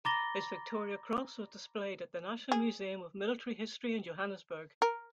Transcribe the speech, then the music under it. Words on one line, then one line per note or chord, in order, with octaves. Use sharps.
His Victoria Cross was displayed at the National Museum of Military History in Johannesburg.
A#5 B5 D6 A6 A#6 G7
G#4
A#4